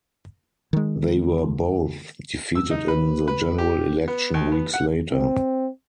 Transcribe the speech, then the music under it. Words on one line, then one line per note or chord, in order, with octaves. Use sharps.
They were both defeated in the general election weeks later.
D#3 G#3
E6
D#4
B4
B4
G4
B3
D#2
B3
F#5
C4